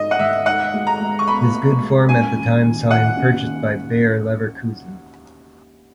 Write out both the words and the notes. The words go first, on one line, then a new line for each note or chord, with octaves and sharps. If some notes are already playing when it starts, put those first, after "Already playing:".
His good form at the time saw him purchased by Bayer Leverkusen.
Already playing: G#2 G#3 D#4 D#5
F#5
G#2 E5
D#4 F#5
G#3
A#5
G#3
C#6
B3 B5
G#3
G#3
C#4 G#5
D#2
D#3
D#2 F#5
C#4
D#2